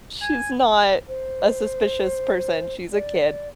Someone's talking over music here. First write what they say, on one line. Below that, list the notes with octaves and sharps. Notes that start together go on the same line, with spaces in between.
she's not a suspicious person. She's a kid."
G#5
C5
D5